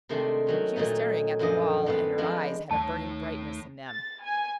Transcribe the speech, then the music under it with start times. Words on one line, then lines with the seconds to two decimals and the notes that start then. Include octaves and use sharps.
She was staring at the wall, and her eyes had a burning brightness in them.
0.09 C3 D#3 G#3 A3 C4 D4
0.47 D#3 F#3 C#4
0.76 A#2 D#3 F#3 A3 D#4
1.39 F#2 D3 F3 G#4 D#5
1.86 A2 B3 C4 B4
2.18 F3 G#3 D4 E4
2.71 D#2 A3 C#5 A5
3.87 A6
4.23 G#5